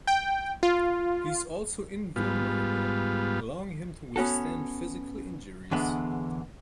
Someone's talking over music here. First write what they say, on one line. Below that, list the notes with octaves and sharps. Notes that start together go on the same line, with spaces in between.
He's also invulnerable, allowing him to withstand physical injuries.
G5
F4
G#2 G3 B3 F4
B3 C#4 F#4 A4
E2 D3 G#3 B3